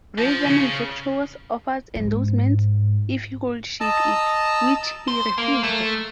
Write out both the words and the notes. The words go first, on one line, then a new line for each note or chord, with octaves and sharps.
Razor manufacturers offered endorsements if he would shave it, which he refused.
F3
C#3
G#2
D#5 A5 A#5 E6
C5
A#3
A3